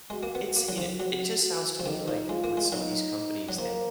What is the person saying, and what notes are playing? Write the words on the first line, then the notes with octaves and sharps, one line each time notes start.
It's you kn it just sounds to me like with some of these companies that, uh,
G#3 F#4
A#3
B3
A#3
F#3
F3
F#3 F#4
F#4
F3
D#3 D#4
F3
G#3 F4
A#3
G#3
F#3 D#4
F#3
F3 A#3